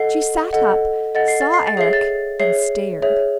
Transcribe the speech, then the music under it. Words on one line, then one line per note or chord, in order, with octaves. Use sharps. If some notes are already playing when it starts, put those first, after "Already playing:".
She sat up, saw Eric and stared.
Already playing: A4 D#5 F#5 C7
A4 D#5 F#5
A4 D#5 F#5 A6
C7
A6
C7
A6
G#4 C#5 E5 C7
A6
G#4 C#5 E5 C7
G#4 C#5 E5